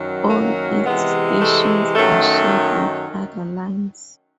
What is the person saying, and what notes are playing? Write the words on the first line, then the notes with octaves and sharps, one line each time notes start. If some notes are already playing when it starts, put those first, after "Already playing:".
All its stations are shared with other lines.
Already playing: F#2 D#3 F#3
A#3
C3 E3 G#3 B3
A3
F#2 D#3 F#3 A3